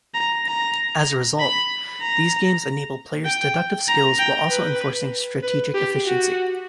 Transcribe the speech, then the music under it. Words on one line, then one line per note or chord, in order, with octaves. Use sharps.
As a result, these games enable players' deductive skills while also enforcing strategic efficiency.
A#5
A#5
B5
A#5
G5
A#5
G5
B4
B4
G4
F#4